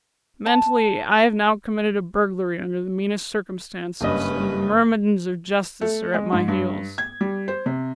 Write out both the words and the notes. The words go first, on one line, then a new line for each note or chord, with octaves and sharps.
Mentally, I have now committed a burglary under the meanest circumstances, and the myrmidons of justice are at my heels.'
A5
F#1 G2 C#4 B4 D#5
A3
G#3
G#2
G2
G#6
G3
C5
C3